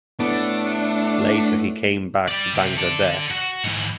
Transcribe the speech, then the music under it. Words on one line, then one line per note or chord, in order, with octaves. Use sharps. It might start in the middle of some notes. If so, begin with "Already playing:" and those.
Later he came back to Bangladesh.
A2 A3 B3 D4
G4 D5
C#2 C3
A4 D5
F#4
G#2 E3